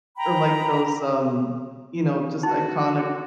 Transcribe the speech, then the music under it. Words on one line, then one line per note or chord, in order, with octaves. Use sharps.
or, like, those, um, you know, just iconic
G5 A#5 B5
D#4 F#4